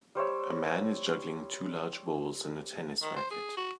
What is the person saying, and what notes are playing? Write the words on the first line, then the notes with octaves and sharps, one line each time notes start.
A man is juggling two large balls and a tennis racket.
G3 C5 C#5 E5
D#3
C5
G#4
F#4